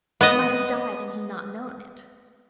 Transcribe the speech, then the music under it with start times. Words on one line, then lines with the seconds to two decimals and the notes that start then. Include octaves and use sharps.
I might have died and he not known it!
0.21 B3 D#5